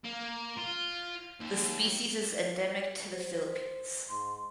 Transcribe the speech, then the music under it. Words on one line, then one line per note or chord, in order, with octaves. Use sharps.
The species is endemic to the Philippines.
A#3
F4
D#2
C5
G#2 C6